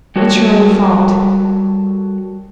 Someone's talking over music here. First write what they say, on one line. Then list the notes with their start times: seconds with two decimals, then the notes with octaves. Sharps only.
'It's your own fault.
0.16 G3 F#4 A4 A#4 C#5